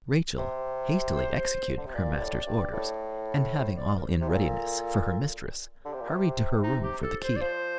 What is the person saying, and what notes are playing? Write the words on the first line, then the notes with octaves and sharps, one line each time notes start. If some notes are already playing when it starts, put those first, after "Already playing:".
Rachel, hastily executing her master's orders, and having all in readiness for her mistress, hurried to her room for the key.
C3
C5
D3
C3
A#2 D5
G2
A2
G2
A2
C5
D5
A#4
C5
C3
A#2 A4
D3 G4
C3
A#2
C3
D#4
G4
A4
C5
D5
F3 C5